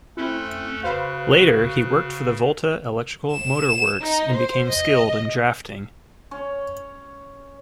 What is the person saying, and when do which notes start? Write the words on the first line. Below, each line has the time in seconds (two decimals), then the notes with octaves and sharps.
Later he worked for the Volta Electrical Motor Works and became skilled in drafting.
0.17 A3 C4 C#4 E4 A4 F#6
0.83 C#3 F#4 B4 C5 F5
3.31 E7
4.01 D#4
4.32 C5
4.70 D#5
6.31 C#4 C#5